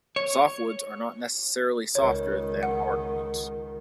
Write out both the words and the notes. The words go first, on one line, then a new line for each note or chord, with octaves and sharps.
Softwoods are not necessarily softer than hardwoods.
C#5
C#2 D#3 C#5
F#5